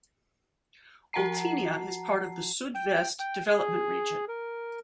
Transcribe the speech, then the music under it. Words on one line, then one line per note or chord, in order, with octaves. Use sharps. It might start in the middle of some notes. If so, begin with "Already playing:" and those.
Oltenia is part of the Sud - Vest development region.
F3 F#4 F#5 A5 A#5 C7
G5
G5
G#4
A#4